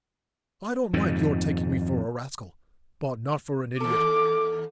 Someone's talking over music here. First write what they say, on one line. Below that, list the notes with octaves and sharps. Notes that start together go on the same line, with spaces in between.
I don't mind your taking me for a rascal, but not for an idiot.
F2 G#2 D#3
D#2 A4 D6